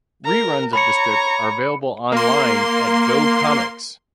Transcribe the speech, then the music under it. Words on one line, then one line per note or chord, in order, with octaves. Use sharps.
Reruns of the strip are available online at GoComics.
A#4 A#5
C#5 A#5 B5 C#7
A#3 C6